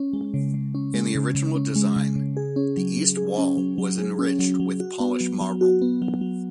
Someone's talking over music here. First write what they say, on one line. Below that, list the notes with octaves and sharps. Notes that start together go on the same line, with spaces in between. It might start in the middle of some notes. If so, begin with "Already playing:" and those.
In the original design, the east wall was enriched with polished marble.
Already playing: C#4
G#3
C#3
C#3
C#4
G#3
C#3
C#3
C#4
G#3
C#3
C#3
G#4
C#4
F#3
F#3
G#4
C#4
F#3
F#3
G#4
C#4
F#3
F#3
F#4
B3
F#3
F#3
F#4
B3
F#3
F#3